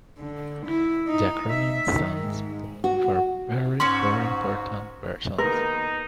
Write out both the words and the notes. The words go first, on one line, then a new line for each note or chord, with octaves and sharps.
The acronym stands for "very, very important persons".
D3
E4
D#4
E5
D#3
G#2
F#4
G#2 C#4 F#4 C6
D#3 A#3 B3 D#4 A#4